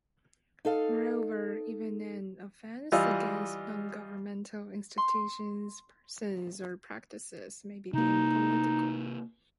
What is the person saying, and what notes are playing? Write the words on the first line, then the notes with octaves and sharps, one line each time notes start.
Moreover, even an offence against non-governmental institutions, persons, or practices may be deemed political.
D#4 A4 F5
E3 G3 F4 D#5 E6
C6
C3 A#3 D#4